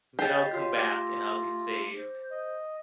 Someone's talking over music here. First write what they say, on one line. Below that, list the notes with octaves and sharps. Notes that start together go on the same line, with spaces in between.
then I'll come back and I'll be saved.
G4 D#5 A6 C7
F4 F#4 C#5 C7
A3 D6 A#6
C5
D#5